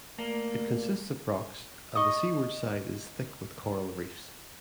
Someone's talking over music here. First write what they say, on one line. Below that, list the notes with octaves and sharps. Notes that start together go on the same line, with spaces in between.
It consists of rocks, and the seaward side is thick with coral reefs.
A3 A#3 D5
D#5 C#6 D#6